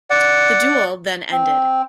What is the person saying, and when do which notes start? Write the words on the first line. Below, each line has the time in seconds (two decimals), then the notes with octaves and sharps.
The duel then ended.
0.10 D5 F#5
1.32 C4